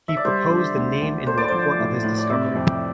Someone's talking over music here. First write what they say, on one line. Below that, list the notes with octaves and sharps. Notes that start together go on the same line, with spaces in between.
He proposed the name in the report of his discovery.
E5
D5
G3 C5
D3
D2
D2
A3 C5
D5
F3 C5
A2
A2
D5
C3 E5
F2